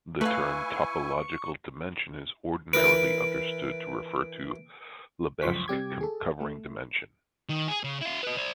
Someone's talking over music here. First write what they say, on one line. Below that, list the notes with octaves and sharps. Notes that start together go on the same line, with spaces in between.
The term "topological dimension" is ordinarily understood to refer to Lebesgue covering dimension.
A3 E4 B4 F5 G#5 C#6
E3 A#4 B4 D7
C#2 F#2 F3 C6 C#6 B6
C3 G3 G4 D6 G#6
G#4 A4
A3
D#3
G#4
C#3
E4 F5
B4 D#5
C5 D5